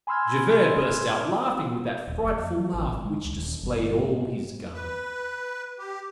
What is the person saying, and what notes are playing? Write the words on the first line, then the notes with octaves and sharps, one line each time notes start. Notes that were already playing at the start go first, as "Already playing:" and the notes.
Javert burst out laughing with that frightful laugh which displayed all his gums.
G#5 B5 C6 E6 F6 G#6
D#1
F#1
F2
F#3
A1
G#1
G#3
C#2
D#1
G1
B4
G4